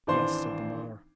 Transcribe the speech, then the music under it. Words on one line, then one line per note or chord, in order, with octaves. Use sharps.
"Yes," said the mother.
G#1 E3 D4 C5 C6